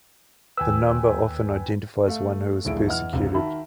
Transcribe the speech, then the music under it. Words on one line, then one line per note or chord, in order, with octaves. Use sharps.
The number often identifies one who is persecuted.
D#2 B4 G5 G#5 E6
A3 F5
D1 A#1 A3 E4 G#4 D7
E2 E4 D#5 F#5 F6
E1 C#2 G2 C3
D#3 F#4 E5 A5 B5